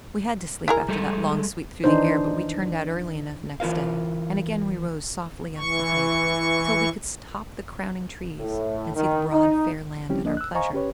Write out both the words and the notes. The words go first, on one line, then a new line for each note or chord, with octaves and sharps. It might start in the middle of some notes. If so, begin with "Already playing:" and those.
We had to sleep after that long sweep through the air, but we turned out early enough next day, and again we rose softly up the height till we could top the crowning trees and see the broad fair land at our pleasure.
E4 G#4 A#4
G3 G#3 A4
D#3 E3 D4 D#4 C5
E3 F4 A#4 F5
E3 C#6
A2
D#3
D#4
F3 G3 C4 C#4 E4 G4
C#2 F3 A#3 D4 D#5
E6 F#6
C5 D#5 F5 G#5 A#5 C#6
C#4 G4 B4 C#5